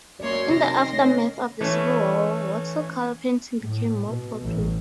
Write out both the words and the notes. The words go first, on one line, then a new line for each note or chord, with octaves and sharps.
In the aftermath of the Civil War, watercolor painting became more popular.
F#2 A#3 C#5 D5 C6
C3 D#3 C6 A#6
A3 C#4
E3 A3 C#4
A2
B2
A1